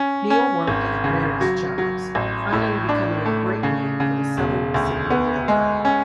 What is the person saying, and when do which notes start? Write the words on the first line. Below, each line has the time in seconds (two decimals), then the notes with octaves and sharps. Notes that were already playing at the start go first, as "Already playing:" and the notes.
Neal worked at various jobs, finally becoming a brakeman for the Southern Pacific Railroad.
Already playing: C#4
0.30 C#4
0.67 G#1
1.04 C#3
1.41 F#3
1.78 F#3
2.15 A1
2.52 A2
2.89 D4
3.25 A3
3.63 C#3
4.00 C#3
4.37 E1
4.74 D2
5.10 B3
5.48 G#3
5.85 C#4